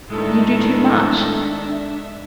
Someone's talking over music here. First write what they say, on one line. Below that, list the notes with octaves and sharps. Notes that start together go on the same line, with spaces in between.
You do too much.'
A2 D#3 G#3 D4 A4 E5